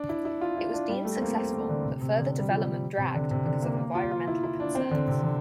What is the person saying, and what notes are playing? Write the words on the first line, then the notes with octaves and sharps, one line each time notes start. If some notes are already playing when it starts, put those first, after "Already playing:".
It was deemed successful, but further development dragged because of environmental concerns.
Already playing: D4
E4
E4
F4
E4
D4
G3
A3
C4
A#3
C4
A#3
D3
C3
C3
D3
G3
F3
G3
C3
D3
C3
D3
A#3
A#3
F4
F4
E4
E4
D4
C4
D3
C3
D3